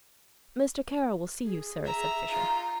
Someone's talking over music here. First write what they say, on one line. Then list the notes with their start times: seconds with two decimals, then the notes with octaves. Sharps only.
"Mr. Kara will see you, sir," said Fisher.
1.46 G#4
1.84 E5 A#5
2.31 F4 A#5